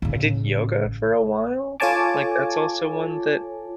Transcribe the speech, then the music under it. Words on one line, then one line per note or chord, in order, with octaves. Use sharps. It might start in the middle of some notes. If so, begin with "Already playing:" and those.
I did yoga for a while. Like, that's also one that
A1 C#3
F4 A4 C#5 G#5 A5 D6